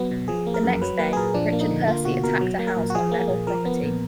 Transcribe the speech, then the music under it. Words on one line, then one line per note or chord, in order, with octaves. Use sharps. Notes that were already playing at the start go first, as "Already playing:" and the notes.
The next day, Richard Percy attacked a house on Neville property.
Already playing: F#3 B3
B2
F3 G#4
A#3
A#4
F#2
F#3 B4
A#3 B4
G#4
A#2 A#4
F3 D4
A#3
D#4
D3
A#3 F4
B2 F#4
B2 A#4
F#3
A#3
A#4
A#2
F#4
F3 G#4
A#3
A#2
F3 A#4
B3
A#2